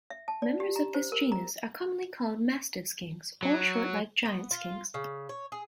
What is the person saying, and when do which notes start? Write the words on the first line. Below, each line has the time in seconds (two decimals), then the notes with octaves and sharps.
Members of this genus are commonly called mastiff skinks or short-legged giant skinks.
0.10 E5
0.28 A5
0.42 D5
0.60 G4
0.76 A#5
0.94 C5
1.12 A#4
1.32 A#5
3.43 F#3
4.26 B3
4.51 F4
4.94 C#3
5.29 C#5
5.52 G#4